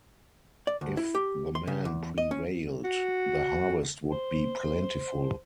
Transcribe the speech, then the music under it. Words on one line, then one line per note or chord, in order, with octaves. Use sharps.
If the men prevailed, the harvest would be plentiful.
D5
D2
E4
G4
C6
C#3
E2
D#5
C#4
F#4
C5